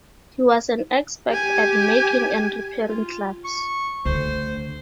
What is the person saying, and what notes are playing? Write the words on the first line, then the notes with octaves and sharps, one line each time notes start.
He was an expert at making and repairing clubs.
G4 G#5
F4
C#6
D2 C5